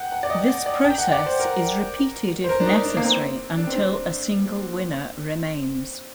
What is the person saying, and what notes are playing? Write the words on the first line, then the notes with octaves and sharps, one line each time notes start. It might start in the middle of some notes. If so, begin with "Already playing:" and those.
This process is repeated if necessary until a single winner remains.
Already playing: F#5 G5
F#5
D5
D#5
D5
D5
G5
F#5
D5
C5
A#4
C5
A#4
D4
D#4
D4
A#3
C4
D4
C4
D4